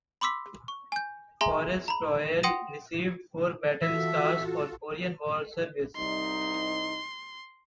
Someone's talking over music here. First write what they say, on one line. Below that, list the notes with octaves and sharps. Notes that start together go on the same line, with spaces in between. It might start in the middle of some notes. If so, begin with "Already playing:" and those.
"Forrest Royal" received four battle stars for Korean War service.
B5 C6 D6 E6 B6
C#6
G#5 G6
G#4 E5 G#5 A#5 C6 G7
A#5 B5
F#5 G5 C6 D#6 A#6 D#7
E3 F4 F#4 A4 E5
C2 D#4 C6